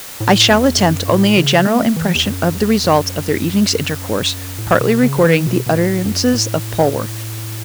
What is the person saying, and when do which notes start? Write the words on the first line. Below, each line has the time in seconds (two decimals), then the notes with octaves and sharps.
I shall attempt only a general impression of the result of their evening's intercourse, partly recording the utterances of Polwarth.
0.20 A2
0.50 E2
0.79 F#2
1.08 A2
1.37 C#3
1.67 A3
1.96 E3
2.15 E2
2.25 F#2
2.54 E2
2.84 F#2
4.58 A2
4.81 B2
5.03 C#3
5.24 E3
5.46 B2
5.66 B2
5.75 A2
6.05 F#2
6.34 A2